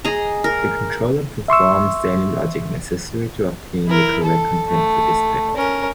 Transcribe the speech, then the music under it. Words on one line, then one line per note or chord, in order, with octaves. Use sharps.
The controller performs any logic necessary to obtain the correct content for display.
G#4 D#5 A#5
A#4
E5 C6 C#6 E6
E4 A#4
A4
A3
C#4 A#4